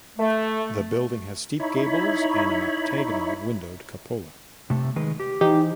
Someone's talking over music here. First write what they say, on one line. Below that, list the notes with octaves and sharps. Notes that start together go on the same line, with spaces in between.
The building has steep gables and an octagonal windowed cupola.
A3
D#4 E4 C#5 B5
C3 A3
D#3 G#3 B4
G4
E3 D#4 G4 C5